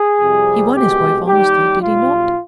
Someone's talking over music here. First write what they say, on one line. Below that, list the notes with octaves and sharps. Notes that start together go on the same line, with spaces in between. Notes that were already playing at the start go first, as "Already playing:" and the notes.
He won his wife honestly;--did he not?
Already playing: G#4
F2 C3 G3
C2 B2 G#3 G4
D#2 D#3 G3 G4
B1 B2 G3 F4